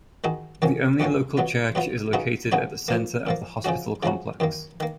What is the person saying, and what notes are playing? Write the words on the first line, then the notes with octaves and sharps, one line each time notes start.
The only local church is located at the center of the hospital complex.
D#3 G#3 D#4 F#4
F2 D#3 F#3 A#3 C#4
F2 D#3 F#3 A#3 C#4
B2 F#3 B3 F4
B2 F#3 B3 F4
C#3 F#3 B3 D#4 F#4
C#3 F#3 B3 D#4 F#4
A#2 F3 A#3
A#2 F3 A#3
C#3 F3 G#3 C#4 F#4
C#3 F3 G#3 C#4 F#4
F#2 D#3 A#3
D#3 A#3